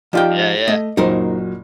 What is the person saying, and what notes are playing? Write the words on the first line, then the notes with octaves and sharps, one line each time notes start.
Yeah, yeah.
F3 D#4 F4 G4 D5 G5
A3 D#5
F#1 A#2 F#3 D#4 A#4 C5